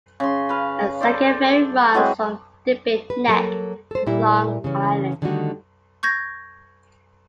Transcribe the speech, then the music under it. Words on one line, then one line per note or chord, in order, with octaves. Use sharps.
A second ferry runs from Digby Neck to Long Island.
C#3 C6
B4 F5
A4 C5 D5
E3 F#3 G#3 C4
B4
F#3 A#3 A4 A#4
A4 C5
A#2 G3 E4
C#3 E3 C#4
D3 D#3 G3 A3 D#4 F#4
C#6 G6 G#6 A#6